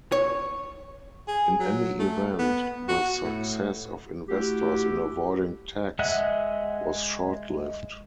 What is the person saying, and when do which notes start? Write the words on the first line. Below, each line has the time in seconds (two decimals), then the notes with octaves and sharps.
In any event, the success of investors in avoiding tax was short lived.
0.12 C#5
1.28 G#4
1.60 F#3
1.99 A3
2.39 B3
2.88 F#4
3.24 A2
4.29 A3 E4 F#4 G4
5.99 G#3 D#5 E5 F#5 F#6